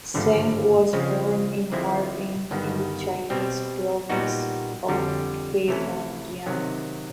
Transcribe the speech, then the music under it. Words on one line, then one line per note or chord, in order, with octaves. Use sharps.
Zeng was born in Harbin in the Chinese province of Heilongjiang.
G#1 G2 D3 F3 A3
C#3 F3 G#3 C4
D3 F3 G#3 C4 E4
G1 G2 D#3 G3 B3
B2 G3 C4
A#2 G3 B3 D#4 F#4
F2 D3 G3
C3 E3 A3 C#4 E4
C3 D#3 F#3